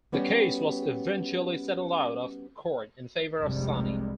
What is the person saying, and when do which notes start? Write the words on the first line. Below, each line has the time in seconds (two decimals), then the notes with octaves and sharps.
The case was eventually settled out of court in favor of Sony.
0.12 G3 B3 C#4 F#4 G4
3.42 F1 C2 G2 C3 G3 G#3